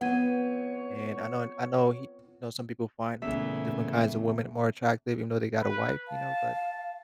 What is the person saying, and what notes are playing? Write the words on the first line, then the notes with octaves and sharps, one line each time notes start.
And I known and I know he you know, some people find different kinds of women more attractive even though they got a wife, you know? But,
F3 B3 C4 B4 C#5 F#5 G#6 D#7
E2 A#2 C#3 A3 E5
B4
F5 A5